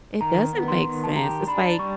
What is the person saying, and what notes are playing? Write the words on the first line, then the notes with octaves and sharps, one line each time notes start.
It doesn't make sense. It's, like,
D#3 A#5
B3
C6
D#3
A5
G4 A#5
D4 B5
G3 C#6